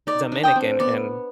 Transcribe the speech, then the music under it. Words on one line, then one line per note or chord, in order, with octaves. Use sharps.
Dominican and
D#4 D5
D4
G5 C6 D#6
C4
B3 D5